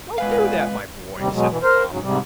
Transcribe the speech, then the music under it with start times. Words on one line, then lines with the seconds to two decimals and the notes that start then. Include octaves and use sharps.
"Don't do that, my boy," said the father.
0.18 A#2 G#3 B3 B4 F5 G#5
1.18 D#2 C3 G3
1.32 B2 F#3 G#3
1.49 B2 E3
1.63 A#4 C5
1.91 G#2 C#3 F#3
2.02 G#2 C3 G3